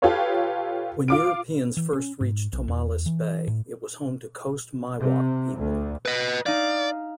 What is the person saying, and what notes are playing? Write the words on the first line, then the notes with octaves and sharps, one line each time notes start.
When Europeans first reached Tomales Bay, it was home to Coast Miwok people.
F4 G4 A4 B4 C#5 F5
F4 D6 D7
E3
C#4
G#2
B1
E2
E3
A2
C3
D2
B4 D#5
D#4 D5 F5